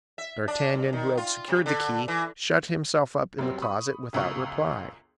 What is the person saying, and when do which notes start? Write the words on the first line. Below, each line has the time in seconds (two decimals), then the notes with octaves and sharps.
D'Artagnan, who had secured the key, shut himself up in the closet without reply.
0.18 E5
0.48 D4
0.74 G2
0.93 D#3
1.17 F4
1.48 C3
1.66 D3
2.08 E3
3.38 F#2 F#3 G3 C4
3.62 B5 C#6 D#6
4.13 G1 C#2 F#2 C#6